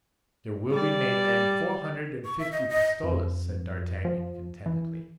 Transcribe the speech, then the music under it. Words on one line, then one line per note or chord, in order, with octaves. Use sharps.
"There will remain, then, four hundred and fifty pistoles," said D'Artagnan, contentedly.
G3 D5
C#6
E5
D#5
D#5
F2
F3
E3